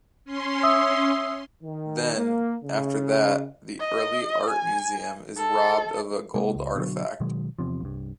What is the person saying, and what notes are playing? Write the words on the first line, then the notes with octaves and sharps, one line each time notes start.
Then, after that, the Early Art Museum is robbed of a gold artifact.
C#4 C6
E5 D#6 E6
D#3
A#3
C#3
D#5
G#5
A4
C3 G#3 A#3
C#2
B2 D3 F#3
B2 D#3 F#3 G#3
E2 C3 F3
C2 G2